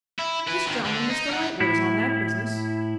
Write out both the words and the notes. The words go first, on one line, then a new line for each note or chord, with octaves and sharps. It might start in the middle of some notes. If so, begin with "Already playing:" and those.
'This gentleman, Mr Lightwood, is on that business.'
E4
E4 B4
D3 D#3
D3
D#4
A#4 F#5
A2 E4